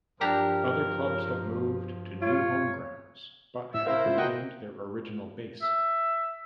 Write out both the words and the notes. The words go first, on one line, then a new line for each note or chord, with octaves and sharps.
Other clubs have moved to new home grounds but have retained their original base.
G2 F3 D4 G4 A#4 A#5
F4 C#5
A2 E5 E6
E4 A#4 C5 E5 F5
G#2 C#3 F4
A#3 F#4 A#4 C5 D#5 F#5 G5
E5